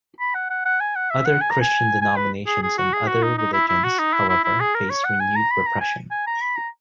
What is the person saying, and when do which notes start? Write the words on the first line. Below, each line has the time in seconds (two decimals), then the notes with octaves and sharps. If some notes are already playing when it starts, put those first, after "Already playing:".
Other Christian denominations and other religions, however, faced renewed repression.
0.20 B5
0.35 F#5
0.50 F#5
0.65 F#5
0.80 G#5
0.96 F#5
1.11 E5
1.26 F#5
1.41 G#5
1.51 A#5
1.61 G#5
2.02 G#5
2.16 B4
2.47 G#4
2.63 G#4
2.78 F#4
2.93 G#4
3.07 F#4
3.23 D#4
3.38 D#4
3.53 E4
3.68 E4
3.84 F#4
3.99 D#4
4.14 E4
4.29 E4
4.44 E4
4.60 G#4
4.75 A#4
4.90 C#5
5.05 F#5
5.20 G#5
5.36 A#5
5.51 B5
5.67 A#5
5.81 G#5
6.11 G#5
6.27 A#5
6.41 B5
6.56 A#5